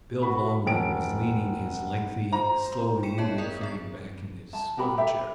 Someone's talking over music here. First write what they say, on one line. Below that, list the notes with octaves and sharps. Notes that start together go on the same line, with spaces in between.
Bill Longley was leaning his lengthy, slowly moving frame back in his swivel chair.
F#4 B5
E1 F#5 D7
C5 A#5
G#4 G5 B5 C#7 D#7 E7
B3 C#5 D#5 A5
G#4 A#4 D5 D#5 A#5 D#6
B3 G#4 A6
A5
F#4 G4 A#4 B5
G4 A4 E5 G5